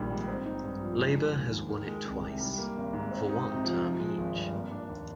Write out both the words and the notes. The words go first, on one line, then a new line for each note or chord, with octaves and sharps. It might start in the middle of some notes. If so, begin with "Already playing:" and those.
Labor has won it twice, for one term each.
Already playing: A#1 D#3 G3
G#2
C4
D#4
G2
F3
G#3
D4
D#2
D#3
D#3
G#3
C2
C3
G3
A#3
G#1
G#2
C4
D#4
C3
F3
F3
G#3
G#1
G2
A#3
D4
D#2